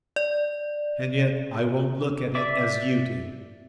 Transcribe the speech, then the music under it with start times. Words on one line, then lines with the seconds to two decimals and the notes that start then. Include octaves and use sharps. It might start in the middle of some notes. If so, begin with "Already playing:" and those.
And yet I won't look at it as you do.
0.16 D5
2.35 D5 E5 D6